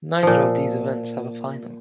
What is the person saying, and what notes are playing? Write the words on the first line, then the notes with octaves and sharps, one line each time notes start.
Neither of these events have a final.
A#2 F3